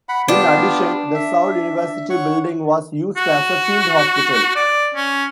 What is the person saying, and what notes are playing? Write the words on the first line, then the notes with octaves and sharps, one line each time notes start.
In addition, the Soule University building was used as a field hospital.
F#5 B5
B3 D4 F4 G4
E5
C#5 F#5 C#6
F#4
D5
C#4